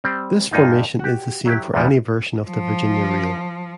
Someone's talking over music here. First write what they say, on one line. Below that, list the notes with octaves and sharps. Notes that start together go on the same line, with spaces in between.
This formation is the same for any version of the Virginia reel.
G3 C4
G2 A#3 D#4 F4
F#4 G4
F#3 E4 G4
E2 A#2 E3 F3 G3
F3